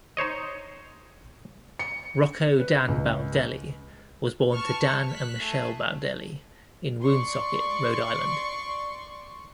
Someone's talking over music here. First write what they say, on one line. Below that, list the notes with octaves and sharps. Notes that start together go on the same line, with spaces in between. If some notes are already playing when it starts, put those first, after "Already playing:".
Rocco Dan Baldelli was born to Dan and Michele Baldelli in Woonsocket, Rhode Island.
D#4 C5 C#5 D#5
C#7
B4
C#2
B4 A5 C#6 F6
F#6 B6
A3 G#4
D5 C6 C#6